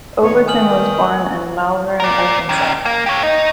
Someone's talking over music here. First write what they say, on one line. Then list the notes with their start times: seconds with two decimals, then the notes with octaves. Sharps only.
Overton was born in Malvern, Arkansas.
0.23 D#3 B3 D#4 C#5
0.48 G5 G#5 D#6 F6 F#7
2.00 A#4 D5
2.49 D#3 C#4
2.85 A#3
3.06 G4 C#5
3.23 D#4